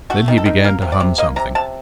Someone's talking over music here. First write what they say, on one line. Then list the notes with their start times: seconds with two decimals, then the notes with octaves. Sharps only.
Then he began to hum something.
0.10 A3 F#4
0.28 D#3
0.38 A4
0.46 D#3
0.64 A#3 A#4
0.82 C3
0.92 D5
1.00 C3
1.18 A#3 D#5
1.36 C3 A#5
1.55 C3 A5